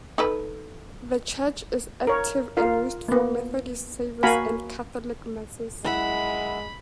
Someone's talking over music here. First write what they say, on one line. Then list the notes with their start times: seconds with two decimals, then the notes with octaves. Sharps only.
The church is active and used for Methodist services and Catholic masses.
0.18 D#4 A4 B4
2.07 A#4 C#5
2.57 F4 A#4 F5
3.08 A#3 B3
4.23 A#3 F#4 F5 G#5 A#5 B5
5.84 F#2 G#3 E4 F#5 B5